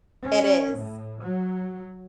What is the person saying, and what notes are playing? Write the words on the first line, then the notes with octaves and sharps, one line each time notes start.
It is.
C#4
A2
F#3